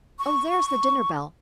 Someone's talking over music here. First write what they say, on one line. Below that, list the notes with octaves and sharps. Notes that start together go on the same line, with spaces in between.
Oh, there's the dinner-bell.
C#6